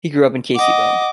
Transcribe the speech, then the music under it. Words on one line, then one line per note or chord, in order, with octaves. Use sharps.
He grew up in Caseyville.
D#5 F#5 D6